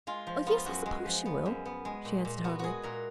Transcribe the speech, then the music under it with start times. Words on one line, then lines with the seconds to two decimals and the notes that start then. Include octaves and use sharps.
"Oh, yes, I suppose she will," she answered hurriedly.
0.07 G#3 F4
0.27 F3
0.46 B3 F4
0.66 F#2 F#4
0.86 G#3
1.06 F3
1.26 B3
1.46 F#2
1.65 B3
1.85 G#3
2.05 A#2
2.25 A#2
2.44 B3 F#4
2.59 G#3 F#4 G#4
2.83 A#2 A#4